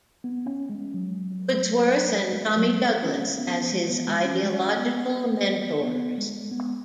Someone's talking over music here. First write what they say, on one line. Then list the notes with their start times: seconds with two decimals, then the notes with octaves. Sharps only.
Woodsworth and Tommy Douglas as his ideological mentors.
0.24 B3
0.46 C#4
0.70 G#3
0.94 F#3
2.33 G#3
2.57 F#3
2.80 G#3
3.03 C#4
3.38 B3
3.73 G#3
3.90 B3
4.08 G#3
4.25 C#4
4.43 G#3
4.77 B3
5.83 B3
6.18 G#3
6.51 B3